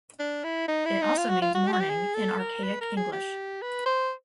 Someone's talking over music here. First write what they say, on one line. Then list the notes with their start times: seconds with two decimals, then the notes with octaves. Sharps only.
It also means "morning" in archaic English.
0.20 D4
0.44 E4
0.68 D#4
0.86 E4
1.02 D#4
1.18 F4
1.30 F#4
1.42 F4
1.55 F#4
1.67 G4
1.73 F#4
1.80 G4
1.90 G#4
2.15 A4
2.39 A#4
2.64 B4
2.81 A#4
2.97 G#4
3.13 G4
3.62 B4
3.86 C5